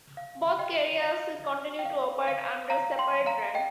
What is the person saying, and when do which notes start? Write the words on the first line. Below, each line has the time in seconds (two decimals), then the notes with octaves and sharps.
Both carriers continue to operate under separate brands.
0.17 F5
0.59 D#5 G5
1.02 F5
1.44 D#5
1.79 G5
1.85 F5
2.28 F5
2.70 F5 A#5
2.98 G5 C6
3.26 F5 A#5
3.55 D#5 G5